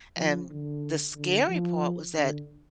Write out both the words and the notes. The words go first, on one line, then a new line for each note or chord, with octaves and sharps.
and the scary part was that,
F3
D3
D3
F3
D3